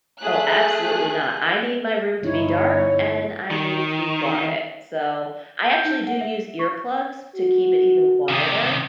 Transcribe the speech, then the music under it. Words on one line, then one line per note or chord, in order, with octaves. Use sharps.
Oh, absolutely not. I need my room to be dark, and I need it to be quiet. So, I actually do use earplugs to keep it even quieter.
A3 G#4 F#6
G1 F3 D#4 E4 C#5
D#3
G6
D#4
F#5
E5
C#6
F#4
C3 D#3